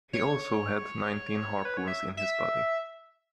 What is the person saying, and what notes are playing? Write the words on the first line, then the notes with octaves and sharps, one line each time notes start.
He also had nineteen harpoons in his body.
C#5
B4
C#5
E5
E5